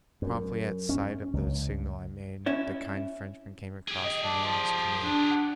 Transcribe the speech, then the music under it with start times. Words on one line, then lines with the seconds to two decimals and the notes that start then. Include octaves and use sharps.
Promptly at sight of the signal I made, the kind Frenchman came across for me in his canoe.
0.22 F#2
0.89 C#4
1.33 C#2
2.46 C#4 E4 C#5
3.88 G4 G#4
4.04 D#5
4.23 D4
4.44 F3
5.01 D4
5.31 F#5